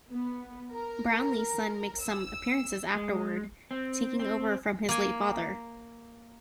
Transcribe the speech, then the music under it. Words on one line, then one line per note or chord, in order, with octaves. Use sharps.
Brownlee's son makes some appearances afterward, taking over from his late father.
B3
A#4
E6
G#3
C4
C4
A#3 G#5